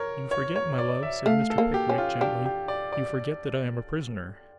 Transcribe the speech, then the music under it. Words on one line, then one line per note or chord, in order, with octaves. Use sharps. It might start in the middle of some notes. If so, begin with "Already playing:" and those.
'You forget, my love,' said Mr. Pickwick gently, 'you forget that I am a prisoner.'
Already playing: A#4 C#5
C#5
C#5
D5
E5
A3 F5
A4
A#3
G4
C#4
F4
D4 G4
G4
D5
D5